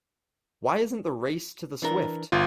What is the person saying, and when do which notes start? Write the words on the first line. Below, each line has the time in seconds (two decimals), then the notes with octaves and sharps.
Why isn't the race to the swift?
1.82 E3 D4 A#4
2.32 G1 F4